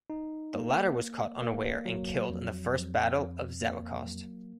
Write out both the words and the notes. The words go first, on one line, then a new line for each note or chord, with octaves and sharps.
The latter was caught unaware and killed in the first battle at Zawichost.
D#4
A#3
A#3
A#3
F#3
F2
F2
F2
A#3
F#3